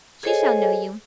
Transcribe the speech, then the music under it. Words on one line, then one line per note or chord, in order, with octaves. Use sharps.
'She shall know you.
G#4 A4 C5 C#5 D#5 G#5